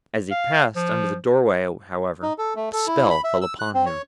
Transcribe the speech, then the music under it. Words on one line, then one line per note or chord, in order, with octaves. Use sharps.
As he passed under the doorway, however, a spell fell upon him.
F5
F3
D#4
A4
A3
A4
E4
B5
E5
E6
F#6
C4
C#5